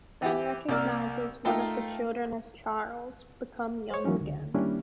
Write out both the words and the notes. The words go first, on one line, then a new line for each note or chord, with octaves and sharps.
Ben recognizes one of the children as Charles, become young again.
E3 E4 G4
C2 A#3 D5 E6 F6
A3 D#4 F4 A4 A#4 G5
C5 C#5
E3 F#3 G#3 C#4 D#4
C#2 D3
D#3 G3 A#3 C#4 D4 E4